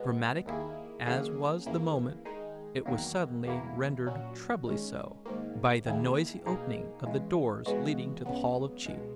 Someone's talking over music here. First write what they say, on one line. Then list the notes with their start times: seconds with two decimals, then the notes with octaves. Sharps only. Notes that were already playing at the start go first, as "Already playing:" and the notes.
Dramatic as was the moment it was suddenly rendered trebly so by the noisy opening of the doors leading to The Hall of Chiefs.
Already playing: B2 G#3 B3
0.46 D#2 D#3 A#3 E4 G#4
1.06 D#3 F#3 A#3 C#4 G#4
1.66 E2 C#3 E3 A#3 E4
2.25 D#3 G#3 D#4 G#4
2.86 E2 D#3 F#3 A#3
3.45 E2 B2 A#3 E4
4.06 A#2 F#3 C#4 F#4
4.66 D#3 G#3 C#4
5.26 G#2 D#3 A#3
5.86 D#2 D#3 A#3 E4 G#4
6.46 B2 A#3 D#4 G#4
7.06 C#3 E3 G#3
7.66 C#3 E3 G#3 B3 F#4
8.26 C#2 C#3 F#3 B3
8.85 C#2 B2 G#3